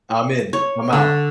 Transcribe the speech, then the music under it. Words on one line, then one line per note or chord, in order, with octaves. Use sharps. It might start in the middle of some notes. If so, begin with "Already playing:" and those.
"I'm in. I'm out."
C#5
D3